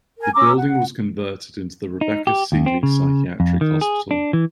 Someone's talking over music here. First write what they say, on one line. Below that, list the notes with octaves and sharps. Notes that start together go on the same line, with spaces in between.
The building was converted into the Rebecca Sealy Psychiatric Hospital.
A#4 G#5
C#4 A#5 D6 E6
F#5
D#4
G4
D#2
C4
C#3
F2
D#3
G#4
D4
E3